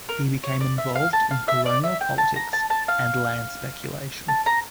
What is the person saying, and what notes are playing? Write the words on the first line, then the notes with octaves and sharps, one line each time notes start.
He became involved in colonial politics and land speculation.
A#4
C#5
D5
E5
F5
A5
F5
E5
D5
E5
G5
A5
A#5
A5
A5
F5
A5
A#5